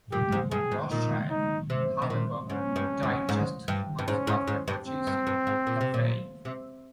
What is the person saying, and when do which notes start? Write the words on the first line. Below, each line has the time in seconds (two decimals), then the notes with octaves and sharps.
Rothschild, however, died just three months after purchasing Lafite.
0.12 A#2 G4
0.32 G#2
0.51 G2 G#4
0.72 G#2
0.91 A#2 D#4
1.31 D#4
1.70 C3
2.02 C3
2.10 A#2
2.50 G#2 C#4
2.76 G2
3.03 G#2
3.29 G#2
3.68 G2
3.99 G2
4.08 G#2 C#4
4.27 G#2
4.48 G#2
4.68 G2
4.87 C4
5.07 G2
5.27 G2
5.47 G#2
5.67 A#2
5.81 C3
5.94 A#2
6.45 C3